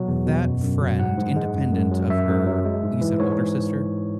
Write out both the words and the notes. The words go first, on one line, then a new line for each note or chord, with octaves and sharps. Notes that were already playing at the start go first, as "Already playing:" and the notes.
that friend, independent of her, you said older sister?
Already playing: B2 F#3 F#4
E2
B2
F#2
F#2
F#3
G#2 F#5
G#2
G#3
F#2
F#2
F#3
F#2 E5
F#2
F#3
G#3
G#2
E3
G#2 C#5